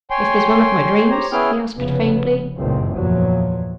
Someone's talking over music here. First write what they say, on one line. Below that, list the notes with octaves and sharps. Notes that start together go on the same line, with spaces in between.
"Is this one of my dreams?" he asked, faintly.
C#5 G5 G#5 C6
G4 C5 C#5 A#5
B3 C#4 E4 G#4 G5 F6
F1 C#3 B3
F#1 C#2 G2 A#2 D#3 C4
E2 A#2 F3 F#3